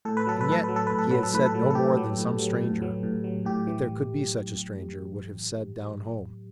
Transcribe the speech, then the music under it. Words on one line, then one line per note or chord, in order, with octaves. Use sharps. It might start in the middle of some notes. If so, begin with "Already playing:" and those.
And yet, he had said no more than some stranger, if there could be such a stranger, would have said down home.
A2 A4
B4
F#3 A4
B4
A2 A4
F#3 B4
A4
A2 B4
A4
F#3 B4
A4
A2 B4
A4
F#3
A4
A2 G4
F#3
A2
F#3
A2
F#3
A2
F#3
A2 G4
E3